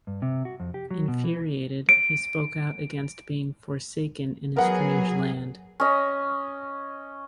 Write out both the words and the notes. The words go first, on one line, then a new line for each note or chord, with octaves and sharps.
Infuriated, he spoke out against being "forsaken" in a "strange land".
G2
C3
F#4
F2
G4
F#3
B2
E3
D7
F#3 B3 G#4 A#4 F#5
C#4 D#5